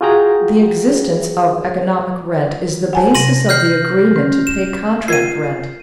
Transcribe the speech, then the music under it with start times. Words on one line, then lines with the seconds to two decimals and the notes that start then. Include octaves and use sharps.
The existence of economic rent is the basis of the agreement to pay contract rent.
0.01 F4 F#4 G#4 G5 A#5
2.93 F#5 G#5 A5
3.15 C3 A#6 D#7 F#7
3.49 F6 G6 C7
4.16 C#4
4.47 E7
5.08 F4 A#4 G#6 C7 D#7